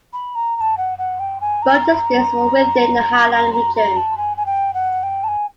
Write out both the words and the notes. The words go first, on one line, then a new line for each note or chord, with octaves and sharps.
Both districts were within the Highland region.
B5
A#5
A#5
A5
F#5
F#5
G5
G#5
A#5
A#5
A#5
A#5
A5
G#5
G#5
G5
F#5
G5
A5
G#5